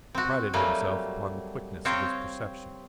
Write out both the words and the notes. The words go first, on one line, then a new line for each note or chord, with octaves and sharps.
He prided himself upon the quickness of his perception.
C4 F#4
F#3 G3 A3 A#3 G#5
C4 C5 C#5 F5 G5 A#5